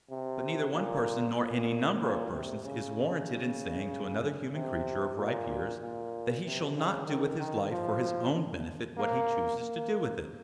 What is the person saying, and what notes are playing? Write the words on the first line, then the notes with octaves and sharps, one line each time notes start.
But neither one person, nor any number of persons, is warranted in saying to another human creature of ripe years, that he shall not do with his life for his own benefit what he chooses to do with it.
C3
A#2
A#2
A#2
C3
C#3
C3
A#2
A#2
C3
C#3
D#3
D#3
F3
A#3
A#3